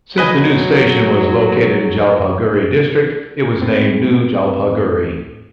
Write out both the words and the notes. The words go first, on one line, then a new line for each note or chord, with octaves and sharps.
Since the new station was located in Jalpaiguri district, it was named New Jalpaiguri.
F#3 B4 D#5 G#5
A2 C4